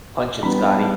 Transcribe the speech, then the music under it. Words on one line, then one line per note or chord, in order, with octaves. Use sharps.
"Punch it, Scotty"
E3 G3 B3 D4 B5
A5